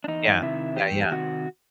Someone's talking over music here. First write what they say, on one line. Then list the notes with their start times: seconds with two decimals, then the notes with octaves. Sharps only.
Yeah. Yeah, yeah.
0.04 D4
0.08 E2 D#4
0.42 C3 D#3 E4
0.76 E2 G4
1.12 C3 D#3 F#4